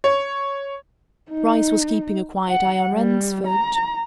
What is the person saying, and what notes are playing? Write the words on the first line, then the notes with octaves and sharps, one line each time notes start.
Bryce was keeping a quiet eye on Ransford.
C#5
D#4
F#5
G3
A#5